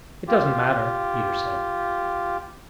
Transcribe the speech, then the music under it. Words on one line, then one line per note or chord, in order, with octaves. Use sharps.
"It doesn't matter," Peter said.
F4 G4